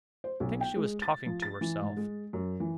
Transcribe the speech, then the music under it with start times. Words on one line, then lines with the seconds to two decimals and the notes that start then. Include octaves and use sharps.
I think she was talking to herself.
0.24 C5
0.40 B1
0.61 G5
0.76 G#3
1.02 A6
1.26 F3
1.42 A6
1.61 E3
1.81 G#2
1.97 G#3
2.33 F#2
2.60 E3